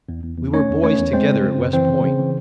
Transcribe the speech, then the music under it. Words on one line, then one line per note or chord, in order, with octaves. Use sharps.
We were boys together at West Point!
E2
E2
E2
A3 C#4 C#5
E2
A3 C#4 C#5
E2
G#3 C4 C5
C#3
C#3
F#2
E3 C4 C5
C#3
C#3
E3